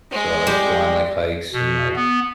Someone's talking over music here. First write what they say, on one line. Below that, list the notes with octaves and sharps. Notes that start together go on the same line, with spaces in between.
So I like to go on, like, hikes and, like,
G#3
G3
B2
B3